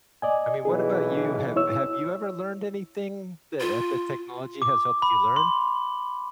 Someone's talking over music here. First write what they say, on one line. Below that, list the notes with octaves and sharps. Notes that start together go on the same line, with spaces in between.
I mean, what about you? Have have you ever learned anything that, uh that technology has helped you learn?
D5 D#5 G#5
B1 B2 E3 G#4
E4 C#5 E6
F4
D6
B5
C6